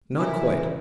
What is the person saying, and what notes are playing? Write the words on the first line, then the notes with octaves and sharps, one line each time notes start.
Not quite.
C#3 E3 E4 A#4